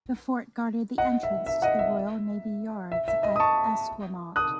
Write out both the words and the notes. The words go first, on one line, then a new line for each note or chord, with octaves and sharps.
The Fort guarded the entrance to the Royal Navy yards at Esquimalt.
D#5 F#5
E5
E5
D#5 F#5
E5
E5
E5
D#5
D#6
A5 C#6
D#6 F#6